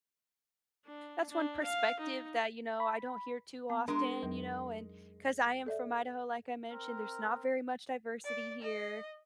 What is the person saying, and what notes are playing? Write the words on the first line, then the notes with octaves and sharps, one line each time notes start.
that's one perspective that, you know, I don't hear too often, you know, and 'cause I am from Idaho, like I mentioned, there's not very much diversity here,
D4
D4
F5
D#4
B5
B3 A5
G#3 D4 A#4
F2 F#3
A4 D5 E5
C4 A#4
D5
D#5